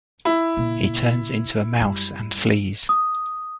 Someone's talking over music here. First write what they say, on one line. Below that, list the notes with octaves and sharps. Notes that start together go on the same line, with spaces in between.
He turns into a mouse and flees.
E4
A#2 C#3
F#2 G3
D#6